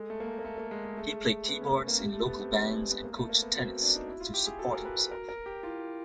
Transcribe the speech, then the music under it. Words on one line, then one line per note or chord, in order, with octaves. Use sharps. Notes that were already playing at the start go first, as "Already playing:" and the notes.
He played keyboards in local bands and coached tennis to support himself.
Already playing: G#3 A4
A3
A#3
A3
A#3
A3
A#3
G#3
G#3
A3 G#4
B3
C#4
A3
A#3
A3 G4
A3
B3
C4
D4
G#3
B3
A#3
A3
A#3
B3
C4 F#4
D4
D#4
E4
F4
G4
G#4
F#4 A4
A#4
B4
B4
A#4
A#4
G4
E4 F4